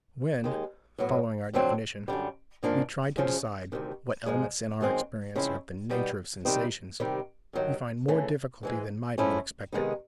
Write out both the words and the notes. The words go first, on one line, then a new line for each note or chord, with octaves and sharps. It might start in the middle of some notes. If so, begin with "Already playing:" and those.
When, following our definition, we try to decide what elements in our experience are of the nature of sensations, we find more difficulty than might have been expected.
D#2 D#3 G#3
A2 F#3 B3
F2 D3 F#3 A3 C4
F#2 D3 G3
G#2 F3 A#3 D4 F4
F#2 C#3 F3 G#3
D2 C3 D#3
G#2 F3 G#3
F#2 D#3 G#3 C4
C#3 F3 G#3 C4 E4
B2 G3 B3 D#4
C3 D#3 G3 C4 D#4
C3 D#3 G3
G2 D#3 F#3
C#3 E3 A3
G#2 E3 G#3
G#2 F3 A3 C#4 E4
C3 D#3 G#3 B3 D#4